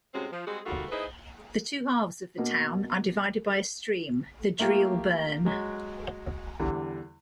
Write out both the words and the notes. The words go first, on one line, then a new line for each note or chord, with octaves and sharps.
The two halves of the town are divided by a stream, the Dreel Burn.
A2 C3 G#3 C4 C#4 F#4
F3
G3 G#3 C4 F#4 G#4
D#3 G3 A3 F4 F#4 G#4
D#4 E4 G#4 B4 C5 D#5
B2 A#3
A3 A#3 F4 G4
F#3 G#3 F#4
E2 D3 G3